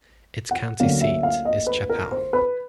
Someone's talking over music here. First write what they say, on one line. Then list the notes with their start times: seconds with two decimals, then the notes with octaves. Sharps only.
Its county seat is Chappell.
0.51 F#5
0.80 D2 D3 F#3 A#3 C#4 F5
1.01 E5
1.23 F5
1.45 D#5
1.67 B4
1.90 A#4
2.11 C5
2.33 B4